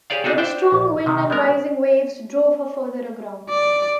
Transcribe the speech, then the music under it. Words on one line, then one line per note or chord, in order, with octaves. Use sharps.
But a strong wind and rising waves drove her further aground.
G4 G#4 C#5 D5 F5
D4 D#4 F#4 G#4 A4
D4 C5 E5 F#5 G5
A#1
C3 D#3
G3 G#3 B3 A#4
D5